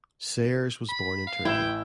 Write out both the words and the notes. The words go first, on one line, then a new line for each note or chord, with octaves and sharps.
Sayers was born in Turkey.
B5
F5
A1 E4 B4 G5 E7